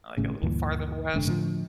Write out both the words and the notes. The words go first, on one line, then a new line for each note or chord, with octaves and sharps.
like, a little farther west.
G#1 A2 C#3
D2 G2 A#2 E3
F1 G#2 D3
A2 D3 E3 F3